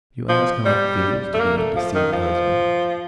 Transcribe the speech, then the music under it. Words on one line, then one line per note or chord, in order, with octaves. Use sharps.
You ask how it feels to be a deceived husband.
F3
G3
A3
A#3
A3
F3
D#3
F3